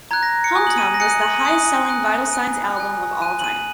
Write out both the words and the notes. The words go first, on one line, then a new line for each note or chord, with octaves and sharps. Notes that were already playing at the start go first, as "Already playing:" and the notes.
"Hum Tum" was the highest selling Vital Signs album of all time.
A#5 F#6 G#6
A#6
C#7
G#5 D#6 F#6
F#7
D#7
A#6
G#5 D#6 F#6 C#7
C#7
F#7
D#7
G#5 D#6 F#6 C#7
G#5 D#6 F#6
G#5 F#6
G#5 F#6
G#5 F#6 D#7
F#7
D#7